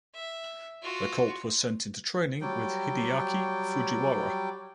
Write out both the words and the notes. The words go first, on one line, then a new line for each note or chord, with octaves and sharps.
The colt was sent into training with Hideaki Fujiwara.
E5
F4 F#4
F#3 G3 G5